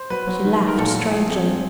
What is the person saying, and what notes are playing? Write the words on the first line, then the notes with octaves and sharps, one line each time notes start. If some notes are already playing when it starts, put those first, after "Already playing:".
She laughed strangely.
Already playing: C5
F#3 B4
F#3
D#3
F#3
A#4
A#2 A4
F3
F3 G#4
C4
G2